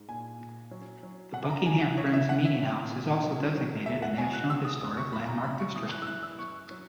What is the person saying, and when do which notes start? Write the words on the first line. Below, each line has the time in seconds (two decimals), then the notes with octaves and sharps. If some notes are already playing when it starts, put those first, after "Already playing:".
The Buckingham Friends Meeting House is also designated a National Historic Landmark District.
Already playing: G#2
0.08 A#2 G#5
0.39 A#2
0.71 F#3
1.03 F#3
1.34 F#2 F#5
1.50 A#5
1.66 F#2 G#5
1.81 F#5
1.97 E3 C#5
2.13 E5
2.29 E3 F#5
2.45 E5
2.60 A#2
2.92 A#2
3.23 F#3
3.55 F#3
3.86 E2 E5
4.02 F#5
4.18 F#3 G#5
4.33 F#6
4.50 C#3 E6
4.65 D#6
4.81 E2 D#6
4.97 C#6
5.12 F#2 B5
5.29 A#5
5.44 F#2 B5
5.60 C#6
5.76 E3 D#6
5.91 F#6
6.02 E6
6.07 E3 F#6
6.23 E6
6.38 F#2 C#6
6.71 F#3